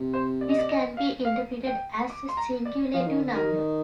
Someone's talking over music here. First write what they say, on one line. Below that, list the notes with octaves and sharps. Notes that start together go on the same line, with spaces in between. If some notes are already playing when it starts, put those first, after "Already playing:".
This can be interpreted as a singulative number.
Already playing: C3
C5
D5
D#5
D5
D#5
F5
F5
G5
D6
C6
A#5
D5
F3 F5
D#3
D3
D#3 A#4